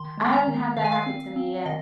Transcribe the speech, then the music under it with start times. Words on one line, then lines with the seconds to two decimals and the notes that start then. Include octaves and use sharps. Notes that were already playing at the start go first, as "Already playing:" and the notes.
I haven't had that happen to me yet.
Already playing: D#3 C6
0.17 G#3
0.33 A#5
0.47 D#3
0.77 D#3 F5
0.84 G#5
0.92 F5
1.06 C4
1.36 C4
1.66 D#3 D#5